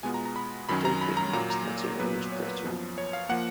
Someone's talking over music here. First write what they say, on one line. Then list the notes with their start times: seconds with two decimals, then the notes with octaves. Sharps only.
Doping makes the materials brittle.
0.03 B2 G#3 B3 F4 G#5
0.14 A#5
0.25 A#5
0.36 B5
0.69 F#2 D#3 F#3 C#4 B5
0.85 A#5
1.01 B5
1.17 A#5
1.33 A#2 F#3 A#3 A#5
1.50 A#5
1.99 A#2 F#3 B3 B4
2.32 C#5
2.48 B4
2.64 F#2 F3 B3
2.98 C#5
3.13 F5
3.29 F3 A#3 F#5